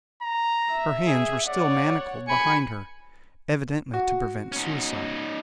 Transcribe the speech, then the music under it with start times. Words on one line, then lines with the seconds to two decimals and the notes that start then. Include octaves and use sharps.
Her hands were still manacled behind her, evidently to prevent suicide.
0.23 A#5
0.71 E5
1.07 G#4
1.47 C#5 D5 F#5
2.28 G#5 B5 C#7
3.93 F#4
4.52 C#4 D#4